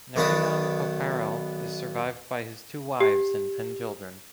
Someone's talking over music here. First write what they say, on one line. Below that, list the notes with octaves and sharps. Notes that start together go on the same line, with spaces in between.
Narayan Pokharel is survived by his two wives and ten children.
B1 D#3 B3 D4 A5 D#6
G4